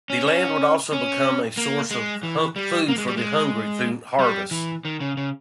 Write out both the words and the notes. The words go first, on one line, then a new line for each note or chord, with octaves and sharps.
The land would also become a source of food for the hungry through harvests.
C#4
C#4
C#4
A#3
G#3
E3
G3
A#3
G#3
G3
G#3
G3
E3
D#3
C#3
C#3